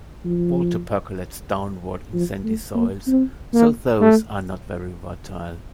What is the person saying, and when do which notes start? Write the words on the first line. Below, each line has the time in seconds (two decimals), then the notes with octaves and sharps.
Water percolates downward in sandy soils, so those are not very fertile.
0.25 F3
2.13 F3
2.44 A3
2.75 A#3
3.07 C4
3.54 A#3
4.01 A3